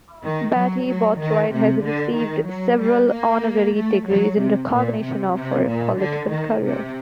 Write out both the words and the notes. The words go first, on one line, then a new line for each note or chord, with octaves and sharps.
Betty Boothroyd has received several honorary degrees in recognition of her political career.
D#3
F#3
F#3
D#3
C3
D3
D#3
F#3
G3
A#3
A3
F#3
C3
A#2
C3
C3
A#2
D3
D#3
C3